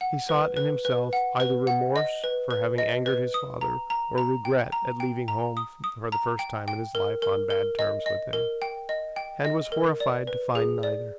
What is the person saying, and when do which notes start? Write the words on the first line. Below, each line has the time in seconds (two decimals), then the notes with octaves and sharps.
He sought in himself either remorse for having angered his father or regret at leaving home for the first time in his life on bad terms with him, and was horrified to find neither.
0.01 F#5
0.29 B4
0.57 B4
0.85 B4
1.13 F#5
1.40 B4
1.67 F#5
1.96 D#5
2.24 B4
2.51 B4
2.78 D#5
3.06 B4
3.34 D#6
3.61 A#5
3.90 A#5
4.18 A#5
4.45 G5
4.72 A#5
5.00 G5
5.28 A#5
5.57 D#6
5.84 D#6
6.12 A#5
6.39 G5
6.68 G5
6.95 A#4
7.22 A#4
7.50 A#4
7.79 D#5
8.06 D#5
8.33 A#4
8.62 G5
8.89 D#5
9.16 G5
9.45 D#5
9.72 A#4
10.00 D5
10.27 B4
10.55 G#4
10.83 D5